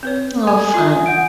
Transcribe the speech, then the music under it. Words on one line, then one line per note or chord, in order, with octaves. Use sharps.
Oh, fun.
C4 B4 C#5
A4 G#5 D#6
F4 E5
F#5 G6 D7